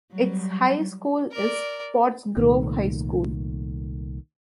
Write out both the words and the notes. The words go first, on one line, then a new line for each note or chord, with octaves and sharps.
Its high school is Pottsgrove High School.
F#3 G3
A#4 D5
C2 A#2 D#3 A3